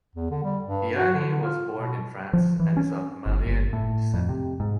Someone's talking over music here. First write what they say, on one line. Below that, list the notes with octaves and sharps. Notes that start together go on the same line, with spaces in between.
Diani was born in France and is of Malian descent.
E2
D3
G3
G2
F#4
D3
F4
B2
F3
E3
C#4
G1
G1
A2
F2
C3
G#2